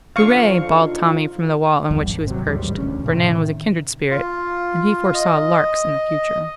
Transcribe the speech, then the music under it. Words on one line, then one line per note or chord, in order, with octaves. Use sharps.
"Hooray!" bawled Tommy from the wall on which he was perched, for Nan was a kindred spirit, and he foresaw "larks" in the future.
F2 D3 F5 C#6
D3 D#4 F4
G1 E2 G2
G#1
C3 F#3
A1 D#2 G#2 G3
E1 D2 C#4
A2 C3 D#3
F4
D#5